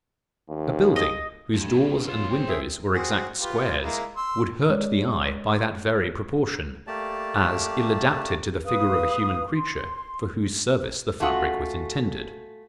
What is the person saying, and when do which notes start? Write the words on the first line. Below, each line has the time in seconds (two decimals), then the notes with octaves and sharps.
A building, whose doors and windows were exact squares, would hurt the eye by that very proportion; as ill adapted to the figure of a human creature, for whose service the fabric was intended.
0.49 D#2
0.96 D#5
1.54 G2 F3
1.68 A2 C3
1.94 B2
2.08 E2 F4 C#5 C6
2.30 C4
2.48 G#4 E5
2.94 C4 F#4 G#4
3.41 F4 G4 B4
3.82 G#3 A#3 E4
4.17 C6 E6
4.69 G#3 C#5 D5
6.87 A3 A#3 G4 D5 A5
8.65 B4 F5 D#6
9.53 C6
11.20 A3 C#4 F4 F#4 F#5